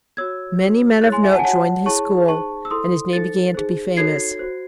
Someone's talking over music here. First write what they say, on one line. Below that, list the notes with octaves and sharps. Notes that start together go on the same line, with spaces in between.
Many men of note joined his school, and his name began to be famous.
F#4 C#5 E6 G#6
F#4 C#5
E4 G#4 C#5 F#6 A6
G#5 C6
E5 G#5
F#5 A5
G#5
F#4 C#5 F#5 A5
E4 G#4 C#5 A5 C#6
D#4 G#4 C5 A5 C#6
E6
E4 A4 C5 C6 D#6
D#4 A4 C5 A6 C#7
D#4 G#4 C5
D#4 F#4 A4 C#5 G#6 C7
F#4 C5